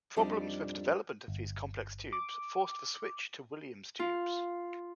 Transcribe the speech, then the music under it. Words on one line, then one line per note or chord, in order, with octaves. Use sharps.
Problems with the development of these complex tubes forced the switch to Williams tubes.
F2 G3 D4 D#4 C5 D#5
G1
D6
F4